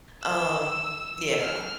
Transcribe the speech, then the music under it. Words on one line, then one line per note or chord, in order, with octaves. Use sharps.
um, yeah,
E6
F6